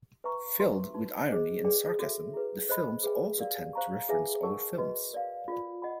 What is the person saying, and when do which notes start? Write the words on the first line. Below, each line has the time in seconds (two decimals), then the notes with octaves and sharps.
Filled with irony and sarcasm, the films also tend to reference other films.
0.24 B4 E5 G5 A#5 C#6
0.60 B4 E5 G5 C6
0.94 D#4 F#4 B4
1.29 G#4 C5 D#5
1.64 G#4 B4 D5 G5
1.99 F#4 A4 C#5 E5
2.34 E4 G#4 B4
2.68 A4 C5 D#5 G5 B5
3.03 G#4 B4 E5 G5
3.38 G4 A#4 D5 F5
3.73 C5 F5 A#5 C#6
4.09 E4 G#4 B4 E5 G#5
4.43 A#4 D5 F#5 A5 C#6
4.78 F#4 B4 D#5
5.13 A#4 D5 F5
5.48 F4 A#4 D5
5.82 D#5 F#5 B5